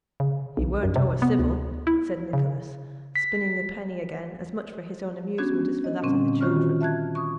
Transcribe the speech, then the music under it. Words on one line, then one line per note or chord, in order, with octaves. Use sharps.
'He weren't o'er-civil!' said Nicholas, spinning the penny again, as much for his own amusement as for that of the children.
C#3
B1
F#2
C3
B3
D2
E4
C#3
B6
B3 C#4 D4 F#4 G#6
D#5
A#2 D3 G3 C4 C#4
D#3 F4 F#4 C5 C#6 F6
E5 A5 F#6 G#6
C#6 D#6